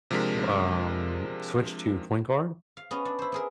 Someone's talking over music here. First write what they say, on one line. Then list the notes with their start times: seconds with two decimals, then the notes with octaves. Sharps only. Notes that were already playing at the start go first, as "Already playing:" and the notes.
um, switched to point guard,
0.11 C3 F3 G#3 D4 A#4 B6
2.77 F5
2.91 B3 C#4 D#5
3.05 D4
3.19 E4 C5
3.32 B3 G#4 A#4